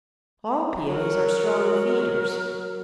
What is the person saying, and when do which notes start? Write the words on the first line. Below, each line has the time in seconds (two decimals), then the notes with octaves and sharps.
All Paeonies are strong feeders.
0.89 F#3 A#4